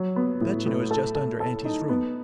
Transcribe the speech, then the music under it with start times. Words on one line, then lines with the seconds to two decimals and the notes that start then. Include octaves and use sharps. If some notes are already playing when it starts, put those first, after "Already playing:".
That you know is just under auntie's room.
Already playing: F#3
0.16 B3
0.41 A2
0.66 A2
0.91 A4
1.15 A4
1.40 A4
1.65 D#4
1.89 B3